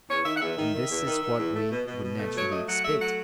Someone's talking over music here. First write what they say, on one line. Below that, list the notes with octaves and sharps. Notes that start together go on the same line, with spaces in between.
And this is what we would naturally expect.
E2 C#5
D#3 E5
F#5
E2 E5
D#3
D#3
E2
D#3
D#3
E2
A3
B2
B2
B2
A3
F#3 C#5
A3 D#5
F#3 F#5
A3 E5
F#3 F#5